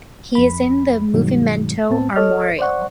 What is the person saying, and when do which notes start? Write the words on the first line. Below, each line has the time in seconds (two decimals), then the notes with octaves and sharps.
He is in the "Movimento Armorial".
0.35 F2 B5
1.14 G2 B2 D#3 F#3 G#3
1.90 A2 B3 C4 A5
2.16 A4 C#5 D#5 F6
2.59 C5 D5 F#5 C#6